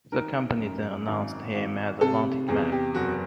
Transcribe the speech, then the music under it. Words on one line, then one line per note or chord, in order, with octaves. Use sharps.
The company then announced him as a wanted man.
D#3 A#4
F#2
G#1
G#1
C3 A4
E2 G#4
G4
F#1 F#4